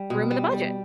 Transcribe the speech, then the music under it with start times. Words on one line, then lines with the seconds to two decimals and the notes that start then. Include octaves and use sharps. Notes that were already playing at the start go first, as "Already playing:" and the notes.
room in the budget.
Already playing: G3
0.10 B2
0.31 G3
0.52 G3